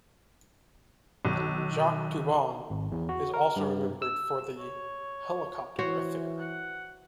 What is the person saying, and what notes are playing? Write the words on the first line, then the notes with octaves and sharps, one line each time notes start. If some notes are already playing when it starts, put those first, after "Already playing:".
Jacques Toubon is also remembered for the "helicopter affair".
B1 D#3
G#1
E2
F#4
A#4
G2
E6
C#5
E3 F#4 C5 C#5
F#5